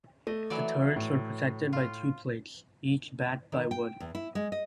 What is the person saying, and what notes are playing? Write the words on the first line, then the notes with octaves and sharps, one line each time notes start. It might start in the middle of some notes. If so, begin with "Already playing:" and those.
The turrets were protected by two plates, each backed by wood.
A3 D#5
E3 F#3 D5
A2
F4
D#3
G5
E2
E4
G#3
D#5